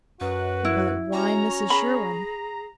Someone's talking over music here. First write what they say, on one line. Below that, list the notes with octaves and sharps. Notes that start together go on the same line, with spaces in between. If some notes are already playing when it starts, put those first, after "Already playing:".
'But why Mrs Sherwin?
F#2 F#4 B4
E4
C#4 F#4 A#5
G#4 B5